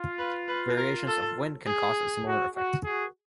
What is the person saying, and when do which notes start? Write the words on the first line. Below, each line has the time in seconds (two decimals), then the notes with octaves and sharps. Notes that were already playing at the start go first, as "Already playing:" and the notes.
Variations of wind can cause a similar effect.
Already playing: F4
0.19 B4
0.48 B4
0.77 A#4
1.07 A4
1.67 G#4
2.25 F#4
2.55 F#4
2.84 F#4 G#4